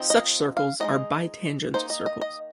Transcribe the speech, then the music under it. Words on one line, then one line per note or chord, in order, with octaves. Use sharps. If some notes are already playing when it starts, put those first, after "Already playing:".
Such circles are "bi-tangent" circles.
Already playing: F3 C4 D#4
D#5
F5
G#3 C4 D#4 D#5
D#3 A#3 D#4 C5
D#5
D#5
D#5